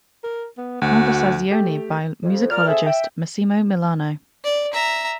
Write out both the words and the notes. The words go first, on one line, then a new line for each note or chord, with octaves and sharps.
Conversazioni by musicologist Massimo Milano.
A#4
B3
D2 F#4
A3 G4
F2
A#2 A#4 D5 F6
C4 G#4 A4 E5
E5 G5
D5
E5 A#5